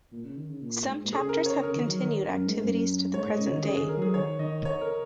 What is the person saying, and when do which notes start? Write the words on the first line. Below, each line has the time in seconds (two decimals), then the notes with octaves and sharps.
Some chapters have continued activities to the present day.
0.12 A#2
0.24 C#3
0.37 D#3
0.50 C#3
0.62 A#2
0.87 G#2
1.05 A#2
1.12 C#3 G#4
1.29 A#4
1.46 C#5
1.63 C#3 A#4
1.76 D#3
1.87 F#3
2.01 D#3
2.29 F#2
2.47 G#2
2.63 F#2
3.14 G#2 C#5
3.26 G#2 D#5
3.39 C#3
3.47 D#3 C#5
3.64 C#3 G#4
3.77 D#3 G#4
3.89 A#4
3.97 F#3 G#4
4.14 D#3 C#5
4.39 D#3 D#5
4.65 C#5
4.81 A#4